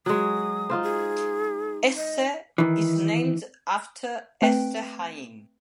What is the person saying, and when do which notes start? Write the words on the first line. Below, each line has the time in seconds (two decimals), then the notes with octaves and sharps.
Este is named after Este Haim.
0.06 F#3 G#3 D#6
0.70 D#4 F4 C5
0.83 G#4
1.97 D#5
2.58 D#3 E3
4.42 A3 C4 B4 G5